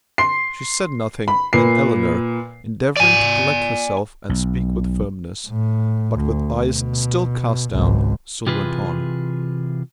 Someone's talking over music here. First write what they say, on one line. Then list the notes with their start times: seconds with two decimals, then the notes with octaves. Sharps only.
She said nothing; and Eleanor, endeavouring to collect herself and speak with firmness, but with eyes still cast down, soon went on.
0.18 C6 C7
1.28 B5
1.53 A#2 B4 C7
2.97 D5 G#5
4.29 B1
5.48 A2
6.17 D2
6.74 B2
7.71 G#1 C#2
8.47 C3 E3 F4 G#4 B4